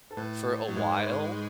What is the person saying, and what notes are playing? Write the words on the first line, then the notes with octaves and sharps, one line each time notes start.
for a while,
A4
A2 B4
F#3
G#2 G#3 B4
C#5
B4
C#5